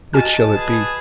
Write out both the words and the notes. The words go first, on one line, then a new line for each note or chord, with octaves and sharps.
Which shall it be?
F#4 D#5 G#5 A5 F6
G#4 B4